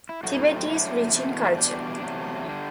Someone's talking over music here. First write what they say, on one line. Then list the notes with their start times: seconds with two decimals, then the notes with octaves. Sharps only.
Tibet is rich in culture.
0.09 E4
0.23 A2 F#3 A3 F#4
0.35 E4
0.45 C4
0.57 C4
0.68 F#2 D3 F#3 A3 E4
1.13 E2 B2 A3
1.57 E2 B2 G3 D4
2.01 E2 C3 F#3 A3
2.48 D3 G3